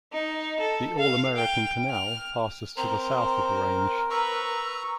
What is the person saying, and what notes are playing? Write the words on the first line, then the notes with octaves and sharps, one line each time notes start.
The All American Canal passes to the south of the range.
D#4
A4
F5
G5
F6
C4 A#4 C5 A#5
B4 A#5 C#6 E6